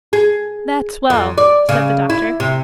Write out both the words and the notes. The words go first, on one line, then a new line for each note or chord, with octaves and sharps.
'That's well,' said the doctor.
G#4
F2
D5
C#3
E4
C3